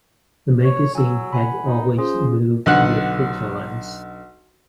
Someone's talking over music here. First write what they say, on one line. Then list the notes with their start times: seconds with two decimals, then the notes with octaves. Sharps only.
The magazine had always moved with the times.
0.64 C#5
0.95 F#3 G#5 E6
1.33 F#5 G#5 B5
1.65 D#4
1.98 C#4 F4 G#4 C5
2.66 B1 D3 F#5 F#6